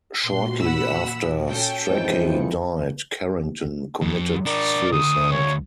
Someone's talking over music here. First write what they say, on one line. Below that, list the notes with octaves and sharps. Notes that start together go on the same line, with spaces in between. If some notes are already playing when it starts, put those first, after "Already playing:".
Shortly after Strachey died, Carrington committed suicide.
A#2 F#4 C6
F#5 B5 E6
C#4 A4 G5
F2 G#2 E3 F3 C4 G#4 C#7
F2
D4 A#4 D5
D2 D#6
C#5